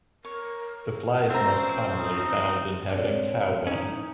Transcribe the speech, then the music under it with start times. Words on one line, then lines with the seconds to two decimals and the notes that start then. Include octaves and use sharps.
The fly is most commonly found inhabiting cow dung.
0.25 A#4 C#5
1.30 F3 C4 C#4 C5 E5 A#5
1.97 D#4
2.89 C4 D4 C#5
3.67 C#4 D#4 E4